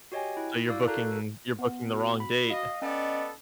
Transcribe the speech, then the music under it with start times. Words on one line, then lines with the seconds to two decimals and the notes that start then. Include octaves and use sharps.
So, you're booking you're booking the wrong date.
0.12 F#4 G4 C#5 D#5 G5 G#5
0.37 E4
0.68 E4 F#4 D5 F5 D6 E6
0.87 F#4 A4 A#4 A5 A#5 F#6
1.59 B3
1.90 F#4
2.20 B5
2.50 D#5 F5
2.82 B3 C#4 A4 D5 D#5 G5